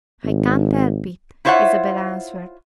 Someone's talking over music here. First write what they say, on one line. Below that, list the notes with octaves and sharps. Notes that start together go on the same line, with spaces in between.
"I can't help it," Isabel answered.
G#1
E4 F4 C5 C#5 E5 F#5